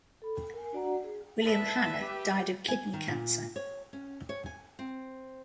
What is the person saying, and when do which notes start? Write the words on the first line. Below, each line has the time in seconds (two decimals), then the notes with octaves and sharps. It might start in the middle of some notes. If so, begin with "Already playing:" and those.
William Hannah died of kidney cancer.
0.22 A4 B5
0.54 A#4 G#5
0.73 D4 F#4 D5 F#5 A#5
1.04 G#4
1.43 A#2 B4 E5 A5
2.01 G4
2.68 G#5
2.93 D#3
3.08 A#2
3.56 C#5
3.93 C#4
4.29 C#5
4.46 G#5
4.79 C4